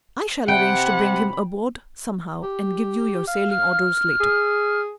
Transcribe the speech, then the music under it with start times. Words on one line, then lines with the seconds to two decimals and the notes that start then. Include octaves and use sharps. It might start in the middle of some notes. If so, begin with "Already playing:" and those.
"I shall arrange to bring him aboard somehow, and give you your sailing orders later."
0.48 C3 F#5 G5 B5
2.43 G4
3.27 F5
3.49 F6
4.20 G#4